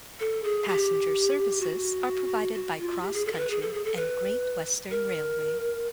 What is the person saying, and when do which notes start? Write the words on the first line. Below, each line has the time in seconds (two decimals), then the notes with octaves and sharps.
Passenger services are provided by CrossCountry and Great Western Railway.
0.20 A4
0.44 G#4
0.67 G4
1.61 F#4
2.55 F#4
2.79 F4
3.02 G4
3.14 G#4
3.25 A4
3.33 A#4
3.37 B4
3.50 G#4
3.61 A4
3.73 G#4
3.85 A4
3.96 B4
4.91 A#4